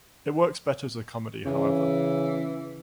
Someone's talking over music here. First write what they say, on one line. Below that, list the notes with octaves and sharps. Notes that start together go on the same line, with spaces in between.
It works better as a comedy however.
C#3 E3